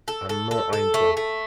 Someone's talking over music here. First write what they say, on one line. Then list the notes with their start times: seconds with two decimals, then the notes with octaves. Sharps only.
I'm no oinker.
0.08 A4
0.29 A4
0.51 A4
0.73 A4
0.94 A3
1.17 A3